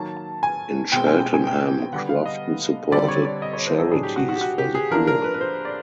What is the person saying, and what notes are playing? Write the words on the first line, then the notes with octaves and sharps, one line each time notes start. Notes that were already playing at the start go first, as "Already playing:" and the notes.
In Cheltenham Crofton supported charities for the poor.
Already playing: D#3 F#3 A#3 A5
G#5
B2 G#3 C4 G5
G#5
G5
G#5
G5
D3 G3 B3 F#5
F5
D#5
D3 G3 C4 D5
C#5
D5
D#5
C#5
C5
A4
A2 F#3 B3 D4 G#4
G4
F#4
F#4
G4
F#4
G4
G#4
F3 A#3 D4 A#4
A#4
B4
B4
C5
D5